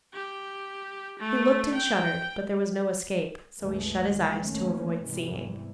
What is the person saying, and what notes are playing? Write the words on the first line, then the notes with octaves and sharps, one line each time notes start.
He looked and shuddered, but there was no escape; so he shut his eyes to avoid seeing.
G4
A3
G5
C2 F#2 E3 G#3 A3
A#2 D#3 G3 G#3
F2 D#3 A3 A#3 C#4
E2 G#2 C3 E3 G3